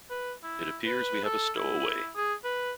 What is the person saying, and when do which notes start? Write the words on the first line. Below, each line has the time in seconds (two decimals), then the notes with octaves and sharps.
It appears we have a stowaway.
0.10 B4
0.43 E4
0.86 B4
1.25 A4
1.57 E4
2.16 G#4
2.44 B4